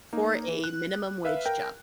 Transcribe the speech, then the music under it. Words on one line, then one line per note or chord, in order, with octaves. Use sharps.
For a minimum wage job.
A#3 D#4
E3
F#6
B4 E5 F5
A#4 G5